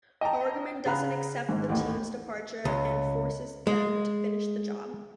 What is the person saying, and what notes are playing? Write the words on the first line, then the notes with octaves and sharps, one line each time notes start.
Bergman doesn't accept the team's departure and forces them to finish the job.
D#5 G5 A5 A#5
C#3 G#4 F5 A#5 B5 F#6
G#1 G#2
A1 D#2 A2
C#2
G#3